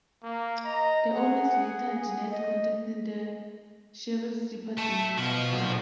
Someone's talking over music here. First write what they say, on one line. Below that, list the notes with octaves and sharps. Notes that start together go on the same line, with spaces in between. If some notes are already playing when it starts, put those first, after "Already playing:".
The owners later denied contacting the Sheriff's Department.
A#3
D#5 A#5
G#4 F#5
D#5
A2 A3 A5
B2 F3
A#2 F#3